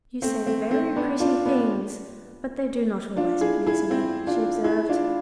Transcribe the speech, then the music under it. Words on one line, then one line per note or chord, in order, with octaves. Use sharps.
"You say very pretty things; but they do not always please me," she observed.
A3 C4
A3 C4
A3 C4
B3 D4
D4 F4
B3 D4
D4 F4
E4 G#4
E4 G#4
C4 E4
D4 F4
E4 G#4
D4 F4